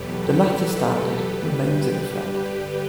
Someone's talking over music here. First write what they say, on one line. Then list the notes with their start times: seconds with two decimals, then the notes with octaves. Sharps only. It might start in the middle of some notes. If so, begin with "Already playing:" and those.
The latter standard remains in effect.
Already playing: E2 B2 F#3 G4 A4 B4
0.39 G4 B4
1.29 G2 D3 G3